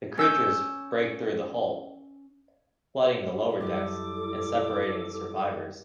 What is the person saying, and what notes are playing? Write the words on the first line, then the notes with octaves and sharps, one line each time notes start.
The creatures break through the hull, flooding the lower decks and separating the survivors.
C#4 E6 G6
F#2 G3 E4 A4 D6